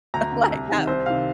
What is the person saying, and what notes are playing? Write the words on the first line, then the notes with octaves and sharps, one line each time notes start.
like, have
D2 A#5
D3
C2
C3 D#3
C2 C5
C3 D#3 F5